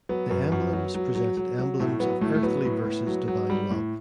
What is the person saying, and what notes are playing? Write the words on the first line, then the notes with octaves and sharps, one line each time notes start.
The emblems presented emblems of earthly versus divine love.
F#3 B3
F#2
F#2
F#3
F#3
F#3
F#3
F#3
A2 A3
F#3 B3
A2 A3
A3
F#3 B3
A2
A2
F#3
F#3
G3
A2